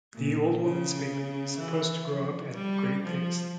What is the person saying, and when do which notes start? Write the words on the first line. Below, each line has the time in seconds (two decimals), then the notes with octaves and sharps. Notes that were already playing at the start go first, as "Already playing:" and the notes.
The old woman's baby is supposed to grow up at a great pace.
0.14 A#2
0.62 C#3
1.58 E3
2.06 F3
2.55 G3
3.03 F3